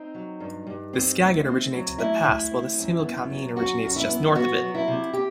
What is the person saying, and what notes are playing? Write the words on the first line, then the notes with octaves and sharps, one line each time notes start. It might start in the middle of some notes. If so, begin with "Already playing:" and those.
The Skagit originates at the pass while the Similkameen originates just north of it.
Already playing: C4 D#4
F#3
G2
G2
C4
A2
C4
F#3
A2 E4
A2
C4
F#2
B3
F#3
F#2 F#4
F#2
E4
B3
B3 F#4
F#3
E4
C3
G4